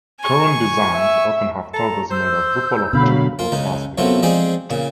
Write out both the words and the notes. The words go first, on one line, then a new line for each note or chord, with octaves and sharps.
Current designs often have toggles made of buffalo horn, or plastic.
G#5 C#6
E5
A4 A#5
C5 E6 G6
B2 D3 F#3 F5 B5
A#3 F4
C#2 C#3 D#4
F#2 C3 F#3 A3 B3 F4
F3 G#3 C4 D#4 G#4 D5
A#2 C#3